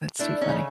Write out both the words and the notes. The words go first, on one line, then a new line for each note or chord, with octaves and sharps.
That's too funny.
A3 D4 E4
C#4 D#4
C#3